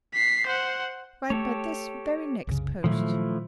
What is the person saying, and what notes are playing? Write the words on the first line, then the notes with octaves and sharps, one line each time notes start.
Write by this very next post.
B6 C7
C5 F#5
A3 G4 A4 C#5
C2 F#2 C#3
A#2 D#3 F3 F#3 A3 E4